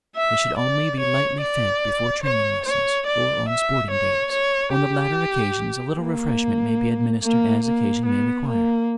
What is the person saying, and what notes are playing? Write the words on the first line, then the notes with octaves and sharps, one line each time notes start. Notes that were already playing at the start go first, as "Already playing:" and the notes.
They should only be lightly fed before training-lessons, or on sporting days; on the latter occasions a little refreshment may be administered as occasion may require.
E5
D5
C#5
D5
C#5
C#5
D5
E5
C#5
C#5
G4
A#3
A#3
A#3
B3
A#3